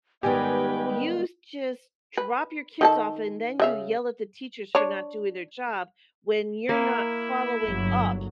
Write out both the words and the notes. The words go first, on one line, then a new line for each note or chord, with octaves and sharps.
you just drop your kids off, and then you yell at the teachers for not doing their job when you're not following up
G#2 D#3 G3 B3 G4 B4 G5 G#5
B4
D#3 A4 A5
C#3 E5 F5
D4 C#5
A#3 E4
G1 F#3